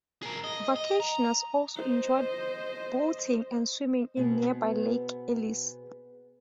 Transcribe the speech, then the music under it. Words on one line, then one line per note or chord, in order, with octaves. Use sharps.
Vacationers also enjoyed boating and swimming in nearby Lake Ellis.
G#4 A#4
D#5
D#5
A#5
C5 D#5
B2 B3 C4 G#4